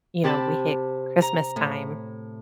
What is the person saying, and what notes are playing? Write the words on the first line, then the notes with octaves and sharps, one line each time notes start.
you know, we hit Christmastime
C3 G4 A5 B5
A#5
A2